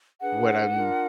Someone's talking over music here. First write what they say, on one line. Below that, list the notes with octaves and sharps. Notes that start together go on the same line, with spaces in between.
when I'm,
D4 G#4 B4 F#5
D4 F4 A#4